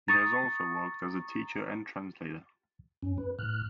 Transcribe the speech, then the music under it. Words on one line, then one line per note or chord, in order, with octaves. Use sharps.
He has also worked as a teacher and translator.
A#5 C#6 D#6 A6
F#2 C#4
B4
A2 F6 F#6